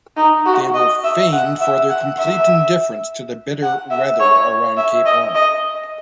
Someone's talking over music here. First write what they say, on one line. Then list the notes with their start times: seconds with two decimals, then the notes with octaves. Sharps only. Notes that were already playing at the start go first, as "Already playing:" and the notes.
They were famed for their complete indifference to the bitter weather around Cape Horn.
0.17 D#4
0.46 F#4
0.74 D#5
1.03 E5
1.33 F#5
1.61 E5
1.89 F#5
2.18 E5
3.62 F#5
3.90 E5
4.20 C#5
4.77 E5
5.06 D#5
5.35 D#5